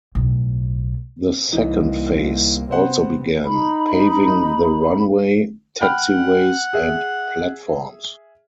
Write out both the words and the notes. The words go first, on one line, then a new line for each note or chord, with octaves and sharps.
The second phase also began: paving the runway, taxiways, and platforms.
B1 A2
C2 E3 A#3 D#4
C3 B3 C5 F#5
D#4 B5
F#5 G5 B5 F6
G#4 E5